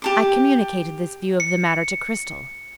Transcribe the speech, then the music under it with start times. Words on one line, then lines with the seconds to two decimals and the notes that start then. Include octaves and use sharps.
I communicated this view of the matter to Cristel.
0.02 G4 A5 D6
1.40 C#7